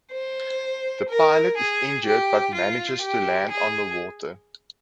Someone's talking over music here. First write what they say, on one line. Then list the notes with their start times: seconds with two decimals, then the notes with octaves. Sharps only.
The pilot is injured but manages to land on the water.
0.12 C5
1.09 A#4
1.57 G#4
2.06 G4
2.55 F4
3.02 G4
3.51 G#4